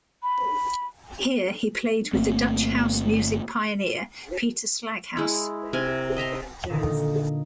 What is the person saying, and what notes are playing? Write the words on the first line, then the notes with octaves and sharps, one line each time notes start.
Here he played with the Dutch House music pioneer Peter Slaghuis.
B5
G1 A3 A#3 C4
G#3 E4
C3 A#4 G#5
D#5 E5 A#5 C6
A#2 D3 D#3 D#4